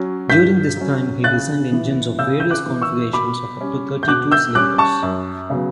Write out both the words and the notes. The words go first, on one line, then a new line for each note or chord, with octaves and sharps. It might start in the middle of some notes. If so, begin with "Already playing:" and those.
During this time, he designed engines of various configurations of up to thirty-two cylinders.
Already playing: F#3 C#4
G2 G6 B6
F#3 C#4
C#3 F#6 A6
E3 B3
C#3 E6 G6
G6
D6 F#6
E3 B3
C#6 E6
B2 B5 D6
G3 C#4
G6
B2 D6 F#6
E6 G6
G3 C#4 D6 F#6
A5 C#6
F#2
C#3 F#3 B3